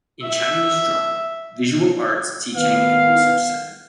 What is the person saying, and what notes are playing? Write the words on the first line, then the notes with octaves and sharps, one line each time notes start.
In Chinese drama, visual arts teaching and research center.
E5
D#3 B3 F5